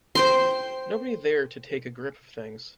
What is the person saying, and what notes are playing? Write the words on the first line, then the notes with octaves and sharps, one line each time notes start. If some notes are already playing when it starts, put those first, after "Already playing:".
Nobody there to take a grip of things.
C5 G5 C6